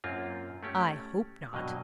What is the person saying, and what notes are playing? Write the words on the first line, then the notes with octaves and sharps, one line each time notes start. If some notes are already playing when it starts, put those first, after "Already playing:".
"I hope not."
F#2 A#3 C4 F4
A3 C#4 G4
G2 B2 F#3 A#3 D#5